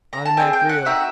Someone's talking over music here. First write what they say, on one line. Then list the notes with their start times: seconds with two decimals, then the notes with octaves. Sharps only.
Automatic reel.
0.13 A#5
0.25 A5
0.37 C4 E4 G#4 G#5
0.53 G5
0.69 F#5
0.85 C4 D#4 F#4 E5